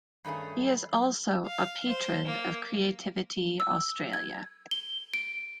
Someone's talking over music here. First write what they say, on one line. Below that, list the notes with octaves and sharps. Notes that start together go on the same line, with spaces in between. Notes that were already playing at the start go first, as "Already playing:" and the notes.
He is also a Patron of Creativity Australia.
G2 D#3 A3 C#4 G#4
F5
C5
A#3
E6
G#6
G7
D7